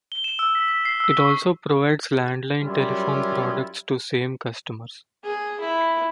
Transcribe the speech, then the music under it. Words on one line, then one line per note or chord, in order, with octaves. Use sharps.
It also provides landline telephone products to the same customers.
G7
E7
E6
B6
B6
C7
E6
C#6
F#2 G3 C#4 E4 F4
G#4
E4